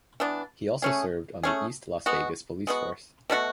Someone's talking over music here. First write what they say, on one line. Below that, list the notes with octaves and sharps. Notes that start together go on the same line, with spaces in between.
He also served on the East Las Vegas police force.
E3 B3 D4
A3 C#4 G#4
A3 C#4 G#4
G#3 B3 F#4
G#3 B3 F#4
B2 A3 C#4 F#4